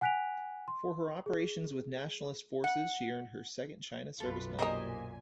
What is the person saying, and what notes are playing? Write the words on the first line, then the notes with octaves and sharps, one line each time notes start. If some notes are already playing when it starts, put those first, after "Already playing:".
For her operations with Nationalist Forces she earned her second China Service Medal.
F#5 G#5 F#6 B6 D7 F7
C6
G#4
F#5
B1 F#2 F4 A4 B4
A#2 G3 D#4 A#4 C5 D#5 G#5